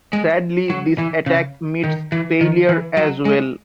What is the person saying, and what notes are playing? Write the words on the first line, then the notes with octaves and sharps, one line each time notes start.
Sadly, this attack meets failure as well.
G#3
F#3
E3
C#3
D#3
E3
D#3
E3
F#3
G#3